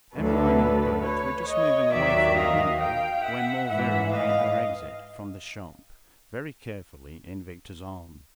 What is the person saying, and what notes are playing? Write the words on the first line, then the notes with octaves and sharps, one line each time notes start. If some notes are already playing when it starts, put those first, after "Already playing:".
Emmeline and Bert were just moving away from the window when Morlvera made her exit from the shop, very carefully in Victor's arms.
D2 D3 F#3 A4 B4
B4 C#5
C#5 D#5
D#2 D#3 F#3 D5 E5
D#5 F5
F5 G5
E5 F#5
G#2 E3 E5 F#5
D#5 F5